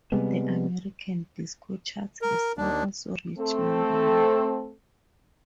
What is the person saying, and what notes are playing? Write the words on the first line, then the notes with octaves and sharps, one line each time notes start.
In the American Disco charts the song also reached number one.
C3 G3 G#3 B3
A#4
D#2 D4
A3 C4 A4